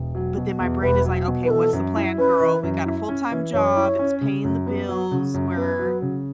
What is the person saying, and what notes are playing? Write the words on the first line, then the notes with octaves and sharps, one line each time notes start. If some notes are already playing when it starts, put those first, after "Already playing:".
But then my brain is like, "Okay, what's the plan, girl? We got a full-time job, it's paying the bills, we're
Already playing: E1
F#3
B2
E2
E1 B4
F#3
B2
B4
E3 A4
F#2
E4
C#4 B4
E3
F#2
E4
C#4
E3
F#2 C#5
E4
C#4
C#3
F#2
B3
F#3
C#3
F#2
B3 B4
F#3
C#3